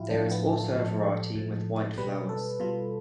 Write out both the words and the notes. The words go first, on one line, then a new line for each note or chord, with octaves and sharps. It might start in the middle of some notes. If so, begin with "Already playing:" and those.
There is also a variety with white flowers.
Already playing: A2 F3 E4 F4 G4
A2 F3 D4
B3
A4
A2 F3
A2 F3
B2 G3 B4
A4
B2 G3 F4